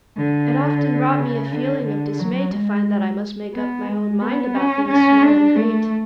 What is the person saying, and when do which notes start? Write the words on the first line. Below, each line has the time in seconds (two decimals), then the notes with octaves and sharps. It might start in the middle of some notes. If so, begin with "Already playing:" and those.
It often brought me a feeling of dismay to find that I must make up my own mind about things small and great.
0.17 D3
1.19 C#3
1.52 D3
1.85 D3
2.20 F#3
2.53 G#3
3.54 B3
3.88 G#3
4.21 B3
4.55 C#4
4.88 C#4
5.22 D4
5.56 A3